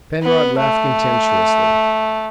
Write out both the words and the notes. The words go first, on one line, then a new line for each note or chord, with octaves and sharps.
Penrod laughed contemptuously.
B3
A3